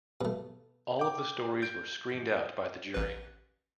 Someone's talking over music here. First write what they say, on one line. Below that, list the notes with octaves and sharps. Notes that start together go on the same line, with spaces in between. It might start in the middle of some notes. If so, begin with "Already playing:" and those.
All of the stories were screened out by the jury.
B2 A3
G5 D6
G6 D7
A1 B4